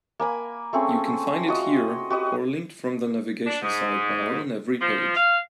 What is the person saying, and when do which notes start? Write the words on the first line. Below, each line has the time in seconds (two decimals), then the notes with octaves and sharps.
You can find it here, or linked from the navigation sidebar on every page.
0.19 A#3 G#5 B5
0.73 A3 C4 C#4 G#4
1.47 F4 F#4 D#5
2.10 F#4 G4 B4 D#5
3.47 D4
3.62 G#2
4.80 F3
5.15 F5